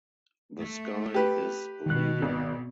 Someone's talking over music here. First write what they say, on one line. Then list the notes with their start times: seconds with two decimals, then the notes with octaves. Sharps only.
The sky is leaden.
0.60 A3
1.14 G4 B4
1.86 B2 D#3 F#6
2.22 G#1